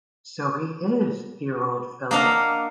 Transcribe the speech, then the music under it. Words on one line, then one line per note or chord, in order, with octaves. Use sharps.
So he is, dear old fellow!
A#3 D4 D#5 F5 F#5